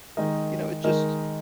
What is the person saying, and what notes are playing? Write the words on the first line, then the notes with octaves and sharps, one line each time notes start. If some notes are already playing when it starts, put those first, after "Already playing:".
you know, it just
D#3 G#3 D#4 A#4 D#5
D#3 G#3 D#4 A#4 D#5